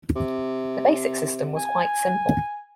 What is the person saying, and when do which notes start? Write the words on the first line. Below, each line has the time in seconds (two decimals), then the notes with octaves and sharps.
The basic system was quite simple.
0.16 C3
1.56 G#5